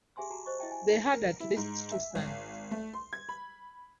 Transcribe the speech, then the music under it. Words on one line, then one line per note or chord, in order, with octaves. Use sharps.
They had at least two sons.
G4 G#4 E5 G#5 C6 E6
F#4 G#4 A5 A#5
C5 D#5 C#6
E4 D#5 E5 G5 A5
G#5
D#4 E4 D5
A#4
E4
G#2
E5
G#1
A3
C6
G#6
B5